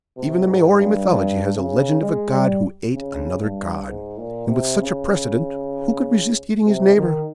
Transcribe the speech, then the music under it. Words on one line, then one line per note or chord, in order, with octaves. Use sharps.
Even the Maori mythology has a legend of a god who ate another god; and with such a precedent, who could resist eating his neighbor?
C3
G#2
G2
G2
C#3
G#3
G3
C#3
G2
G#2
A#2
C3
C#3
C3
D#3